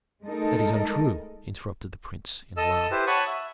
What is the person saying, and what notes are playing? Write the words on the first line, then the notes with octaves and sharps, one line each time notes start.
"That is untrue!" interrupted the prince, in alarm.
G#3 A3 D#4 A4 A#4
A4 D#5 E6
E4 G4 B4 C5
C#5 F#5 A5 B5 C#6 D#6
E5